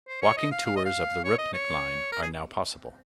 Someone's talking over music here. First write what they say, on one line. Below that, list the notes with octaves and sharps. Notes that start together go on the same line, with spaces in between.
Walking tours of the Rupnik Line are now possible.
C5
C#5
D#5
F5
F5
D#5
F5
C#5
D#5
C#5
A#4
G#4